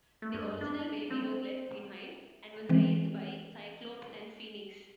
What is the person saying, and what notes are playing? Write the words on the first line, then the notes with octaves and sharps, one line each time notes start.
The original baby was left behind, and was raised by Cyclops and Phoenix.
A3
G2
D4
C4
E3 G#3 C4